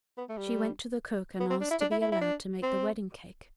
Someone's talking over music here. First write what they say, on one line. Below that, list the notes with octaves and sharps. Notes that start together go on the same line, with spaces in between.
She went to the cook and asked to be allowed to make the wedding cake.
B3
A3
G3
B3
C4
D4
E4
D4
E4
E4
E4
D4
C4